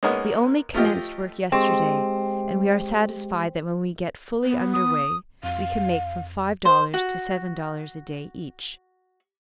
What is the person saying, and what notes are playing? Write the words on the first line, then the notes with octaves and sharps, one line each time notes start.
We only commenced work yesterday and we are satisfied that when we get fully under way we can make from five dollars to seven dollars a day each.
G#3 A#3 B3 C#4 D#4 A#4
F3 A3 F4 G4 D#5
G#3 C4 G4
B3
D#6
F2 F5
C5
F#4